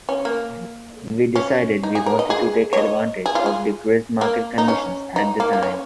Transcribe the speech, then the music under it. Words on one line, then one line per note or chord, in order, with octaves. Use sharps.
We decided we wanted to take advantage of depressed market conditions at the time.
C#4
A#3
C#4
D#4
G#4
A#4
D#5
G#4
C#5
D#5
G#4
F4
G#4
A#3
D#4
C#4
D#4
A#3
A#3
C#4